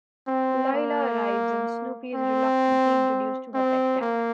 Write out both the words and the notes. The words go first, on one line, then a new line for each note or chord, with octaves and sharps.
Lila arrives and Snoopy is reluctantly introduced to her pet cat.
C4
A#3
C4
C4
A#3